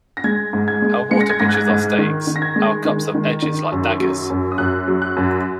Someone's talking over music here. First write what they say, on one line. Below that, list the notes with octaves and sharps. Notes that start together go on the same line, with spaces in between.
Our water pitchers are stakes, our cups have edges like daggers.
A#6
G#3 G#6
G#2
G#6
G#3
G#3 C#7
A#6
G#6
G#2 A#6
F#6
G#6
G#2
D#3
D#3
A#6
G#6
G#3
D#3
D#3
D#3
F#2
F#3
F#2
D#6
F#2 F#6
F#3
F#6
F#2